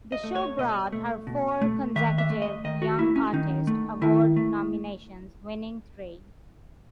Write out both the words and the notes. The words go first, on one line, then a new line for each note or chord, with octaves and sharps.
The show brought her four consecutive Young Artist Award nominations, winning three.
D#5
A3
C#5
B2 D#5
A3
B2
A3
D#3 E5
E5
A3
D#5
D#3 D#5
F#4
A3 E4
C#4
D#3 D#4
A3
D#3 E4
A3